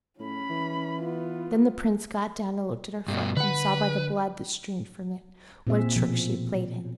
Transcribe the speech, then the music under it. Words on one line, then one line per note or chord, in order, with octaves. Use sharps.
Then the prince got down and looked at her foot, and saw by the blood that streamed from it what a trick she had played him.
A2 C#4 B5
E3
B3 F4
G2 B2
D3 B4 F#5
A#2 C4 G#4 E5
B2 F3